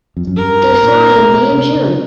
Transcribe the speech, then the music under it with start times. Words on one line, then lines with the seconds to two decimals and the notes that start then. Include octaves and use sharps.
They fly in May and June.
0.17 F2
0.27 F#2
0.37 G2 A#4
0.83 A#2
1.29 B2
1.52 C3
1.75 C#3